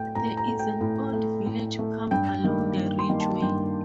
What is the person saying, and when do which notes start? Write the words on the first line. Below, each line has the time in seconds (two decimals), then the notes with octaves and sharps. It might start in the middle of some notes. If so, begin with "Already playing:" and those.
There is an old village pump along the Ridgeway.
Already playing: A2 A3 G5
0.15 A2 A#5
0.37 A#5
0.48 A3
0.59 G5
0.81 A2
1.13 A3
1.46 A2
1.79 A3
2.11 G2 G5
2.44 D#3 G3 A#3
2.77 G2
2.99 C6
3.09 D#3 G3 A#3
3.20 A5
3.42 G2 G5